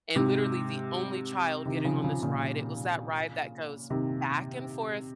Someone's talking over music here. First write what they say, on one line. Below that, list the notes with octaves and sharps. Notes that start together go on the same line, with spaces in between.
and literally, the only child getting on this ride. It was that ride that goes back and forth,
G#2 C3
C3 D#3
D#3
C#3 F3
C#3 F3
A#2 C#3
C3 D#3